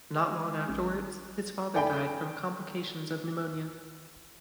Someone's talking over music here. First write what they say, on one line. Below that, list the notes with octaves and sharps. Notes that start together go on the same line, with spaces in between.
Not long afterwards his father died from complications of pneumonia.
G#3
A1
A4 D5 G5 G#5 B5